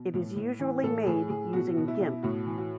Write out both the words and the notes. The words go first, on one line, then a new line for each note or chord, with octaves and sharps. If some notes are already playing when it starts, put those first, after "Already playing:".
It is usually made using gimp.
Already playing: B2
A2
A2
E3
A2 A4
A2 G#4
A2 G#4
B2 F#4
B2
E4
B2
A2 F#4
E3
F#4